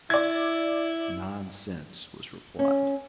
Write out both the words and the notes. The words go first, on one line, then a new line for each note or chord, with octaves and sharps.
"Nonsense," was replied.
E4 D5 G#6
C#4